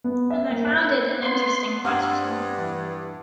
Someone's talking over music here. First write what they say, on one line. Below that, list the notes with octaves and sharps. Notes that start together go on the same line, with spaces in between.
And I found it an interesting question.
B3
E5
A#3
F#6
B3 C6
G2 C4 F#5 D#6 E6
E3